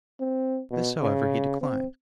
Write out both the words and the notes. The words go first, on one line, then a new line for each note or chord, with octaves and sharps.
This, however, he declined.
C4
B2
C#3
C4